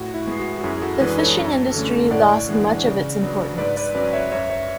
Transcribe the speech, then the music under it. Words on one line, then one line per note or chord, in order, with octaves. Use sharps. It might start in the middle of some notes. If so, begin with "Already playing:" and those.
The fishing industry lost much of its importance.
Already playing: A2 F#4
E4
G#3 B3
F#4
F#4
F#2 E4 G#4
G#4
F#4 A4
E3 G#3 B3 D4 G#4 B4
A4 C#5
F#2
D3 A3 C#4
A2 D5 F#5
E3 G#3 D4
C#3
F#3 B3 D4
G#2 B4 D5
B4 D5
F#3 C#4 B4 D5
C#5 E5
F#2 C#5 E5
C#5 E5